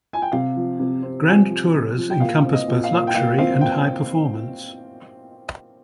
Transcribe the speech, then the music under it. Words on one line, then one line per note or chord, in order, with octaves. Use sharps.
Grand Tourers encompass both luxury and high-performance.
G#5
G5
C3 F5
F3
C3
C4
F3 G#5
F3
C3
F3
G5
A#2 F5
C4
D#5
A#2
F5
A#2
G5
A#2 F5
C4 F5
G5